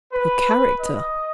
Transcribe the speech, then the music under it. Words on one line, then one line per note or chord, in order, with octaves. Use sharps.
'Her character!
B4
D#5